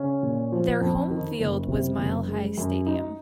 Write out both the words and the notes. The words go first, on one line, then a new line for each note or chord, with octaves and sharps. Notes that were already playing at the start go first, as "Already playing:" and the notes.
Their home field was Mile High Stadium.
Already playing: C#3 C#4
A#2
F3
F2
D#3
F#1
C3
F#1
G#3
F#2
D#4